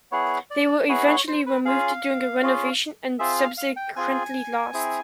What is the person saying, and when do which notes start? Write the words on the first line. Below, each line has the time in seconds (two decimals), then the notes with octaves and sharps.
They were eventually removed during a renovation and subsequently lost.
0.12 B3 E4 G#4 C#5
0.50 D5
0.89 B3 E4 G#4 C#5
1.08 C#5
1.27 C5
1.46 B4
1.65 C#4 F4 G#4 F5
2.43 C#4 F4 G#4
3.19 C4 F4 G#4 E5
3.38 F5
3.58 F5
3.76 G5
3.96 C4 F4 G#4 G#5
4.73 C4 E4 G#4